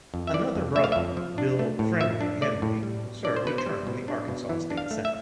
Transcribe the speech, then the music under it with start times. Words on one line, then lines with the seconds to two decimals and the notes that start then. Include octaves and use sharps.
Another brother, Bill "Friendly" Henley, served a term in the Arkansas State Senate.
0.14 F2
0.27 E5
0.34 E3 D5
0.55 F2
0.75 A3 E5
0.84 F5
0.92 F2 E5
1.17 F3
1.38 D4
1.59 A3
1.79 A2
2.00 F3 E5
2.21 D4
2.41 A3 D5
2.62 A2
2.83 G3
3.04 B2
3.25 D4 D5
3.36 C5
3.45 B2 B4
3.58 C5
3.66 G3
3.87 B2
4.08 D4
4.28 B2
4.49 E3
4.70 D4
4.77 F5
4.91 A3
5.05 E5